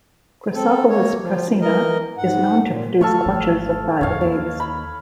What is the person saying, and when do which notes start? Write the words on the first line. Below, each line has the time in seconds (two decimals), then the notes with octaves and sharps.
"Gastropholis prasina" is known to produce clutches of five eggs.
0.54 C4 A4
0.89 A#3 C#5
1.22 F3
1.61 E3 A#4 D#5
2.18 G#2 F#5
2.67 A#2
3.01 A3 A4 F5 C#6
3.26 G#1 F3 A3
4.01 D1 F2 C#5 F5
4.25 D#2
4.60 B5